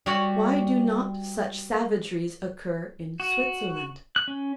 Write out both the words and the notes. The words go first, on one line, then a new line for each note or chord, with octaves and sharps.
Why do not such savageries occur in Switzerland?
G3 F#4 C#5
F#4
F#6
C#4